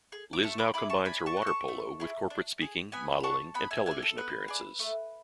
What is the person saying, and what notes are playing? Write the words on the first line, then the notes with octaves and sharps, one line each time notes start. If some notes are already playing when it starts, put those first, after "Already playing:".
Liz now combines her water polo with corporate speaking, modelling and television appearances.
G#4
D6
A3 A5 C#6
B5 D6
E4 G#4 B5 D6
A5 C#6
D4 G#5 B5
A5 C#6
F#4
A4
A5 C#6
A3
E4 G#4
D4
G#4
B3 G#5 B5
D4 F#4 A5 C#6
B3 G#5 B5
E5 G#5
D4 G#4 E5 G#5
A4
B3 B4
D4 G#4
A3